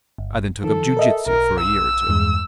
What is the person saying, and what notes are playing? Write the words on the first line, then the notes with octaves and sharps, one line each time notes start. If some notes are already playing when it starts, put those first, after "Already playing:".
I then took up jiu-jitsu for a year or two.
G1
D#3 F3 A4
A#4 D#5 E5
B1 A#4
E6
E2 G2 G#3